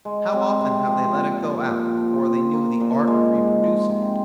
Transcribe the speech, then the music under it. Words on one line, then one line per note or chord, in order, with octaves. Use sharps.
How often have they let it go out, before they knew the art of reproducing it?
G#3
C4
C3
F3
A#2
F3
A#2
F3
F3
A#3
A#2
G#3
G#2
F3
C3